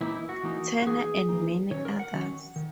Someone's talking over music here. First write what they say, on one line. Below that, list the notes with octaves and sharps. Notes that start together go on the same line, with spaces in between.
Turner and many others.
E3 A#3 D#4 E4
E4
F#4
E3 A#3 D#4
F#4
E3 A#3 D#4 G#4
E3 A#3 D#4
D#3 F#3 C#4 C#5
A#4
F#5
D#3 F#3 C#4
D#3